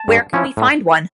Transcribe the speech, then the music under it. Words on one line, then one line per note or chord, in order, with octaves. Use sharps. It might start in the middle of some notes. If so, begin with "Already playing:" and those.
Where can we find one?
Already playing: A5
G2
F3 C#4 E4
A2